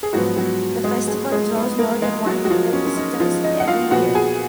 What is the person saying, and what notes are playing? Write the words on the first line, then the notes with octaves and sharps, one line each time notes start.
The festival draws more than one million visitors every year.
G#4
G#2 F3 F#3 B3 F#4
F#3 F#4
G#3 G#4
G#3 G#4
G#3 G#4
B3 B4
A#3 A#4
G#3 G#4
F#3 F#4
F#4
F3 F4
C#4
C#4
D#4
F3 F4
D#4 D#5
F#5
F4 F5
A#2 F3 B3 F#4 F#5
G#4 G#5